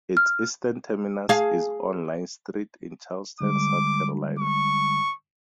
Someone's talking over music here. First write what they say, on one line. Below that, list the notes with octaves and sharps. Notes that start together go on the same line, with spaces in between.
Its eastern terminus is on Line Street, in Charleston, South Carolina.
F6
G#4 F5
D3 G3 G#3 D6
C#6